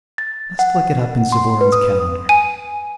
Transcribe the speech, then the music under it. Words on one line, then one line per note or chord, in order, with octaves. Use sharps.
I must look it up in Suvorin's calendar.
A6
F#5
C6
B4
D#6
G#5 D#7